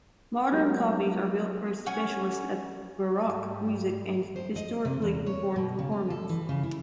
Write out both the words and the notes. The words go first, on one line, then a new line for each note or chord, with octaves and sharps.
Modern copies are built for specialists of baroque music and historically informed performance.
F#3 G#3 B3 G4 A#4
C#4 F#5 G#5
G#2 G3
C5
D#5
C3
E2
C#5
B2
C#3
C#4
A4
E3
C#3
E4